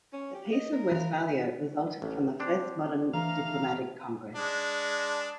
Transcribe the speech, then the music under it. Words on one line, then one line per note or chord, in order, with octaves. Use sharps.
The Peace of Westphalia resulted from the first modern diplomatic congress.
C#4
G4
D#5
A#4
E3 F5
A1
C4 D4
E3 A3 F5 A#5
G#3 D4